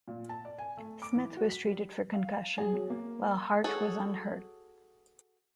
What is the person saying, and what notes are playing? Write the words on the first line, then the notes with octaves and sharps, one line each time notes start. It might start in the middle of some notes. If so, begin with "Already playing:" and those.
Smith was treated for concussion, while Hart was unhurt.
A#2
A5
D5
G#5
A3
D6
E3
F#4
B6
G3
F5
G#4
F#3
A#3
F#4 G#4 A4 C#5